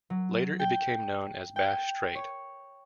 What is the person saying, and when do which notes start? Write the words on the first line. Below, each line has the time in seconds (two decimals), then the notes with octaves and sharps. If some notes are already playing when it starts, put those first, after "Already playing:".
Later it became known as Bass Strait.
0.10 F#3
0.60 G5
1.56 G5
2.15 C#5